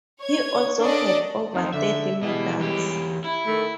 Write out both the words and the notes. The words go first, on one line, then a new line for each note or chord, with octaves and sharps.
He also had over thirty medals.
C#5 G#6
C#4 D4 A4 D5 D#5
F2 C4 D#4
D3 E5
B2 E3 G3 G#3 D#5
E2 G4
E4
D#3 A3